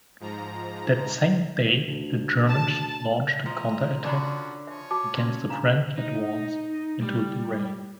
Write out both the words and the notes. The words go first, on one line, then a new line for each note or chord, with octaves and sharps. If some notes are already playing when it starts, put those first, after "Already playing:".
That same day the Germans launched a counter-attack against the French advance into Lorraine.
G#2 F3 A#5
D2
A5
F3 C5 D#5 A#5
D3 F3 C#4 D4 F#4 D5 A#5 B5
F3 C#5 E5 G#5
F#4 A5 D6
A#2 C#4 C6
D4 F5 A#5
D#4
G3